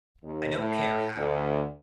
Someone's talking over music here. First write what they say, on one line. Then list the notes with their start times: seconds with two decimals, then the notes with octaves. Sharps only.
I don't care how.
0.23 D#2
0.58 A2
1.16 D2